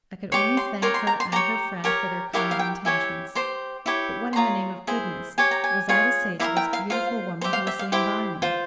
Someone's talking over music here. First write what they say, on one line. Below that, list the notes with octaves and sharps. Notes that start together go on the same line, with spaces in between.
I could only thank her and her friend for their kind intentions. But what in the name of goodness was I to say to this beautiful woman who was sitting by me?
G4 C#5 C6
C6
G4 A#4 C#5 C6
C6
A#5
C6
G4 C#5 A#5
G4 A#4 C#5
E4 G4 A#4 C#5 F5
F5
G5
E4 G4 C#5 G#5
G4 C5 C6
E4 G4 C#5
C6
F4 G#4 C#5 A#5
E4 G#4 C5
G4 C#5 G#5
A#5
G#5
F4 G#4 C#5
E4 G4 A#4 F5
G5
F5
F4 C5 F5
G4 C5 E5
F5
E5
F5
E4 G4 C5 G5
F4 C5